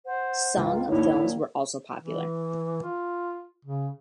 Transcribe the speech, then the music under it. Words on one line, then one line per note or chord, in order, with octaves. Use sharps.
"Sung" films were also popular.
C5 F#5
C#2 F4
A#1 D#3 E4 C#5
E3
F4
C#3